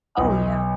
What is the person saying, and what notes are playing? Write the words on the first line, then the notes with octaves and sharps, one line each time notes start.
Oh, yeah.
B1 D#5